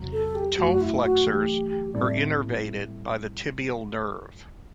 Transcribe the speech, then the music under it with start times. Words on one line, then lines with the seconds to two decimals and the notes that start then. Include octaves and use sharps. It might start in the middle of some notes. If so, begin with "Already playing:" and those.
Toe flexors are innervated by the tibial nerve.
Already playing: E2 C3 F#3
0.12 A4
0.35 G4
0.57 F#2 F#3 A3 F#4
0.81 E4
1.02 F#4
1.25 F#2 E3 A3 G4
1.93 A2 G3 C4 E4 A4 D5